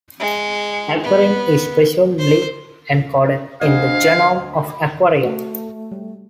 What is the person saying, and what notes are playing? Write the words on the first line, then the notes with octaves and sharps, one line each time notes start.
Aequorin is presumably encoded in the genome of Aequorea.
G#3
B3
C5
D2 D4 C5 D#5 F5 G#6
B5
A3 F#4
G3